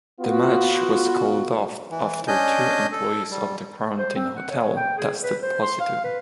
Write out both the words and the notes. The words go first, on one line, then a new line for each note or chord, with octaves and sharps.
The match was called off after two employees of the quarantine hotel tested positive.
B3 F4 F#4
E3
C#4 D4 D#5 G#5 G6
A4
G3
C5
C4
F#5
C#5
G5
G#4
B4
C5
C6
F5
B4